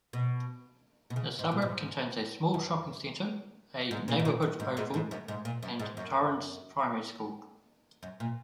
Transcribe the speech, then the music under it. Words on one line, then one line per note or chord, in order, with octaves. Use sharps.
The suburb contains a small shopping centre, a neighbourhood oval, and Torrens Primary School.
B2
B2
C#3
G#2
A#2
G#2
F#2
G#2
A#2
G#2
A#2
F#2
G#2
G#2
G#2
F#2
G#2
A#2
F#2
G#2
F#2
F#2
A#2